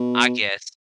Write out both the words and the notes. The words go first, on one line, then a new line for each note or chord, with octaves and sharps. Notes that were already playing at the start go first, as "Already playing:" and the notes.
I guess.
Already playing: B2